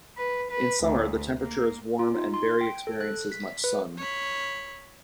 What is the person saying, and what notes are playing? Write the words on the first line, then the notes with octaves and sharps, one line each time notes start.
In summer, the temperature is warm and Bury experiences much sun.
B4
B4
D2
A#3
F4
D#4
C6
G5
A4
F#6
B6
B4
C#5 B5